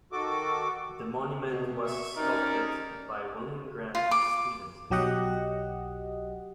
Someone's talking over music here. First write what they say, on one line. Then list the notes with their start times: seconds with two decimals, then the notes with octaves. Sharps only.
The monument was sculpted by William Grant Stevenson.
0.12 D#3 F#4 A4 D6
1.50 B2
1.85 E5 C#6
2.17 G3 C4 C#4 D#4 A#4 D5
3.95 F4
4.11 D6
4.90 B1 F#3 G4 D#5 F#5